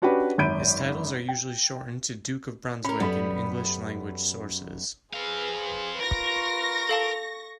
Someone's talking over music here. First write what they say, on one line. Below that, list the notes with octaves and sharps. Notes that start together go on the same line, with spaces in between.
His titles are usually shortened to Duke of Brunswick in English-language sources.
C#4 D4 F#4 G4 B4
G#1 F#2 B5 G6 D7 D#7
G5
C#4 A#4 B5
F#2 G3 B3 A4 B5
C4 G#4 B4 F5
F4 A#4 B4 C#6 A#6
A4 F5 A5